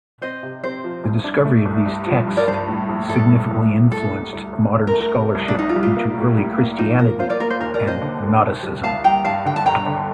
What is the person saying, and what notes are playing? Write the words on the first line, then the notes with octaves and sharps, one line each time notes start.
The discovery of these texts significantly influenced modern scholarship into early Christianity and Gnosticism.
C4 C5 D#5
C3
C4 C5
F3
C2
D4
A3
C2
G2
F3
G2
A#4 D5
G2 C5
A2
A#1
A#1 A4
A2
C2
C2
C2 A4
C2
D2
D2
D2
A#4
A3
A#4
C3
C2
D4
C2 D#4
F4
G3
F4
A#3
A2
G3
A#3
F3 D#4
F3 A#4
F4 C5
A#4 D5
A#3 A#4
C5
D#2 A#4
A#4 D5
D#2
C5 D#5
D3
D#2
C2
G3
C2 F5 A5
G3 G5 A#5
G2 F5 A5
D3 G5
A5
G1 G5 A#5
D3